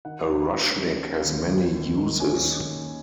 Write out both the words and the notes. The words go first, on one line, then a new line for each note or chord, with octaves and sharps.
A Rushnyk has many uses.
D#3 F#5
D#3
C#4
D#3
C#4
D#2
D#2
D#2
D#3
C#4 G#5
D#3
D#2